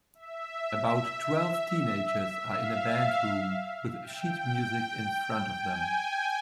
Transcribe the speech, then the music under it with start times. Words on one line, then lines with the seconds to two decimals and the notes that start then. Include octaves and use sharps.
About twelve teenagers are in a band room with sheet music in front of them.
0.15 E5
2.46 F5
4.01 G5
5.55 G#5